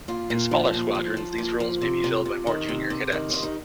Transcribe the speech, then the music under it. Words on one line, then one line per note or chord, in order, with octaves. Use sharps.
In smaller squadrons, these roles may be filled by more junior cadets.
A#2 F4
A#2
F3
A#2
F3
F3
A#2
F3
C3
C3
C3
D#3
C3
C3
D#3
D#3 F4
D#4